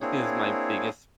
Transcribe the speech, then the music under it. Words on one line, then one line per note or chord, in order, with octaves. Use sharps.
is my biggest
A#3 C4 D4 E4 G#4 C#5